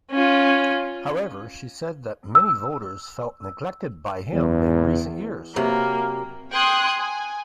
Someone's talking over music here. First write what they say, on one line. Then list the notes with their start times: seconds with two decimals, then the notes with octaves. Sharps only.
However, she said that many voters felt neglected by him in recent years.
0.11 C#4 F4
2.35 E6
4.33 E2
5.56 C3 F#3 A#3 B4
6.53 G5 C6 D#6 F#6 G#6
6.97 G#5